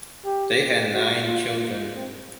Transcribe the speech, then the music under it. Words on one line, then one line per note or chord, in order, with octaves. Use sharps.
They had nine children.
G4
F#4
F4
F4
C4